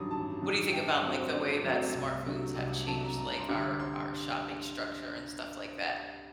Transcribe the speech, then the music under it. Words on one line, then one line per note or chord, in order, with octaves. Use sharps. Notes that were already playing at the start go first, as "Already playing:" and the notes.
What do you think about, like, the way that smartphones have changed, like, our our shopping structure and stuff like that?
Already playing: A1 G2 D#3 F#3 D6 D#6
A1 A5
G2 D#3 F#3
G2 G5
F#5
F#3 A3 C4
C5
D5
G2 C5
F#3 A3 C4
C2
C3 F#3 A3 D4
C2 D5
F#5
C3 F#3 A3 D4 A5
A#5
G2 A#5
C6
D3 G3 D6
C6